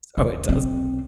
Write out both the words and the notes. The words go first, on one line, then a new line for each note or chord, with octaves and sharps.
so it does.
E2
B1 C4